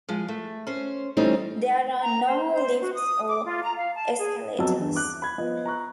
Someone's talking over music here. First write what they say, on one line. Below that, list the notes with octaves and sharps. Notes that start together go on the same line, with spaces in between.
There are no lifts or escalators.
F3 G#3
A3
C#4 C5
E3 G3 A3 C4 C#4 D#4
A#5
C5
C5
F#4
D#6
D6
F4
A#5
F5
A5
G#4
F2 F#3 B3 D#5 A5 E6
E2 G2
D6 F#6
B5 G#6
F3 B3 D#5
A#5 C#6 F#6